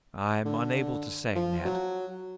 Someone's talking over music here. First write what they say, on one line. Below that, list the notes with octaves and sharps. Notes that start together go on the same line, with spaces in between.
"I'm unable to say, Ned."
D3
F3
F#3